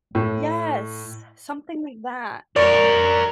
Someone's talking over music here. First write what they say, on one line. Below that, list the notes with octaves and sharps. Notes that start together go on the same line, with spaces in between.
Yes, something like that.
A2
A#4 C#5 D5